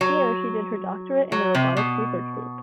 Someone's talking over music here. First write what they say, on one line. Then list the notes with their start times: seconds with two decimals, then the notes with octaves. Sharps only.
Here she did her doctorate in the Robotics Research Group.
0.01 F#3
1.32 F#3
1.55 C3
1.77 B2